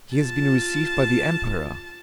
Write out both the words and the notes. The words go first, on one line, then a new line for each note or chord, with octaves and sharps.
He has been received by the Emperor.
F4 A5